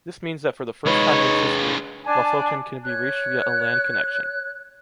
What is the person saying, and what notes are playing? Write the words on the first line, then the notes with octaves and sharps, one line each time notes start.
This means that for the first time in its history, Lofoten can be reached via a land connection.
G#3 D#4 B4 C#5
D4 G#5 A5
C#5 F#6